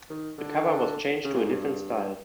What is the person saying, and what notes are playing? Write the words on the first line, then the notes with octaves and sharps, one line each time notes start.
The cover was changed to a different style.
D#3
D3
C#3
A#2
G#2
G2